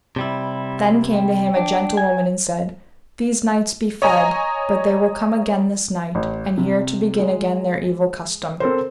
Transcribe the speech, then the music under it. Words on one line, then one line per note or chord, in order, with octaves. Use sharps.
Then came to him a gentlewoman and said: These knights be fled, but they will come again this night, and here to begin again their evil custom.
C3 G3 E4
G5
D4
G#5
C#5 D#5 G#5 A#5
A1
C3
G#3
C4 A4 A#4 C5